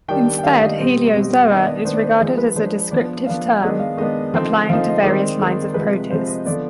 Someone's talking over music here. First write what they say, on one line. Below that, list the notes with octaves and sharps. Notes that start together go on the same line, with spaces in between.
Instead, "heliozoa" is regarded as a descriptive term applying to various lines of protists.
D#3 G3 D4 G5
G5
D#3 G3 D4 F5
D#5
B2 G3 C4
B2 G3 C4
D#3 B3 D4 D#5
D5
D#3 B3 D4 C5
D5
C5
F3 G#3 D4 G#4
B4
F3 G#3 D4 C5
F3 B3 D4 D5
F3 B3 D4 F5
D#3 G#3 B3 D4 D#5
F5
D#3 G#3 B3 D4 D#5
D3 F3 C4 D#4
D3 F3 C4 D#4 F5
D#5
D#3 G#3 C4 D#4 D5
D#3 G#3 C4 D#4
C3 F3 G#3 B4
C3 F3 G#3 C5
D#5
D3 F3 B3 D5